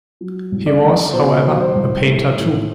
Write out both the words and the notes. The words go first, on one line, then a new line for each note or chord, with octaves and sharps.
He was, however, a painter too.
F#3
C2
D5
A3
B2 C5
F#3
C5
C2
A3
A2